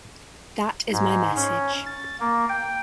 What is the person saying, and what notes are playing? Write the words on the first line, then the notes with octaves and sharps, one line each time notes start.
That is my message.
G#2
C#4
A6
A#3
G5